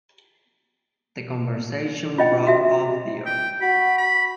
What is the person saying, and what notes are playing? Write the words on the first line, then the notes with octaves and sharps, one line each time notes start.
The conversation broke off there.
F4 D#5 G5
F#4 E5
G5
F#4 B5
B5